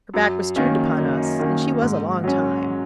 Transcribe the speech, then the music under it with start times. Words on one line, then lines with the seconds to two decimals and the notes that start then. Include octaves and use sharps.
Her back was turned upon us, and she was a long time.
0.14 F#2
0.56 D#3 A#3 C#4
0.97 F#2
1.40 D#3 A#3 C#4
1.81 G#2
2.24 F#3 C#4